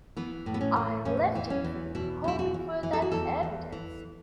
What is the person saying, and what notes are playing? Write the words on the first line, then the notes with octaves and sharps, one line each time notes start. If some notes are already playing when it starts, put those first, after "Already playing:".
I left him free, hoping for that evidence.
E3 B3
A2
B3
C#4
A2
E2 C#4
E3
C#4
E2
B2 E4
E2 E4
F#4
E2
E3
A4
F#4
E2 A4
E2
E3